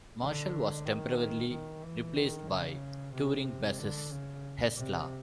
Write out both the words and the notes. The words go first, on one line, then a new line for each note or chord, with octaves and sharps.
Marshall was temporarily replaced by touring bassist Hestla.
D3
D#3
D#3
E3
D#3
C#3
C3
D3
C#3
C3